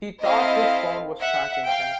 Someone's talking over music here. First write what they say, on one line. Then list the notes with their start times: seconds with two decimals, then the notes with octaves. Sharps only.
He thought his phone was tracking him.
0.23 C4 E4 A4 D#5 F5
1.19 E5 F#5
1.67 F5 G5